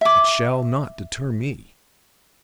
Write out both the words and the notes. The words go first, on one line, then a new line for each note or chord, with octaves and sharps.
It shall not deter me.
E5 D6